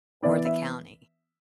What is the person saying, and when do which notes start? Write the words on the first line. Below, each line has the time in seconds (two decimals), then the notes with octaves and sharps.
or the county.
0.23 E3 B3 E4 D5
0.45 E5